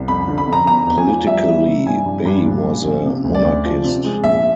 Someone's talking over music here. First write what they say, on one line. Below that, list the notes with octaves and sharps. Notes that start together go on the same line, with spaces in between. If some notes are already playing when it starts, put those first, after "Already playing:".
Politically, Bey was a monarchist.
Already playing: C2
F2 B5
D3
B5
F2
A#5
E2 A#5
E2
G#5
F3
G3 E5
E3
C3
G2 G#5
G2
G2
A#1
A#1
A#1
C3
D2
D5
D2
F3
C3
G#3
A#1 E5